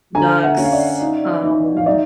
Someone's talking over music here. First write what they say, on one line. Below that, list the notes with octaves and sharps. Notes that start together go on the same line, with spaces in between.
ducks, um,
D3 G#5 A#5
E5 F#5
C#4
F5
D5 E5
D#4
D#4
F5
D#4 D5 E5